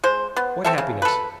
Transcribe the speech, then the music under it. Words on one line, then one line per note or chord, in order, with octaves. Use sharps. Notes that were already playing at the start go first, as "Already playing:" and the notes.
What happiness!
G#3 C5
B3
C4 A4 E5
C#3
A4 B4